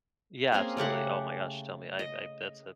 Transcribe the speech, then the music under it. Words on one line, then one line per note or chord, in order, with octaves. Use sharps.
Yeah, absolutely, oh my gosh, tell me I I that's a
A#3 C4 C#4 G#4
C#3 A3 G4 F#5
D#5